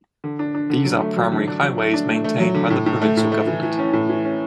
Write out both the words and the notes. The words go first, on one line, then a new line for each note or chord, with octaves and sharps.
These are primary highways maintained by the provincial government.
D3
D4
D4
D3
F#3
A3
F#3
D3
D4
F#3
A3
D4
A3
A3
F#3
D3
A2
A2
A3
A2
A3
E3
E3
C#4
A2
E3
C#4